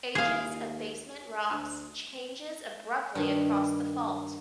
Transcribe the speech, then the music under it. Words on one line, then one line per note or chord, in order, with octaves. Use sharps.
Ages of basement rocks changes abruptly across the fault.
D#2 G#4 F5
D2
G2 D#3